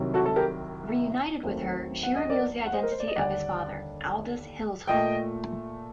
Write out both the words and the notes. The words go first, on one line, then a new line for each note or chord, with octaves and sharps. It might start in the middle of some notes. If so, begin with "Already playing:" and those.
Reunited with her, she reveals the identity of his father: Aldus Hilltop.
Already playing: C2 C3 D#3 F#3
F#4 A4
A4
G4 A#4
D#2 D#3 F#3 A3 C4
F#5
D#5
A#4 D5
F#5
C5 D#5
A#4
C5
D5
D#5
D#2 D3 G3 D4 D5 F#5
A#2 A3 D#5 G5